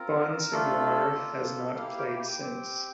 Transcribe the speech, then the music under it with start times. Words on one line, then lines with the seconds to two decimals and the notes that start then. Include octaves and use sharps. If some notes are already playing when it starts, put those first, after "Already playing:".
Bonsignore has not played since.
Already playing: C4 F4 A#4
0.52 A3 D4 F4 A4
1.15 A#3 F4
1.77 A#3 E4 G4 F5
1.98 G5
2.19 G5
2.39 C4 G4